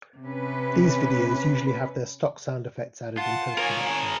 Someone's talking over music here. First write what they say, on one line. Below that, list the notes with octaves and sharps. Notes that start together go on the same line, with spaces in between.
These videos usually have their stock sound effects added in post-production.
C3 C#4 B4
F4 F#5 A5
G#4 A#4 C#5 G#5